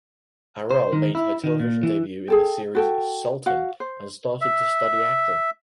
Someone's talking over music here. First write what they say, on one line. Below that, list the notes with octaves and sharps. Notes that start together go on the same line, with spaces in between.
Aral made her television debut in the series "Sultan" and started to study acting.
C5
D#3
E4
D#3
A#2
E3
G#4 A4 G5
F#4 A4 G5
F#4 F5
C5
E5